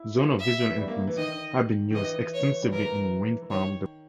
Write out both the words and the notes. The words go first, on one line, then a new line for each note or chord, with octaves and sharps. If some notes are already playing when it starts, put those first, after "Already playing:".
Zones of visual influence have been used extensively in wind farm development.
Already playing: E4
E5
E3
G3
A#3
E3
D#3 D#5
D#3
E3 D#5
C#5
G3
E3 A#4
E3
D#3 C#5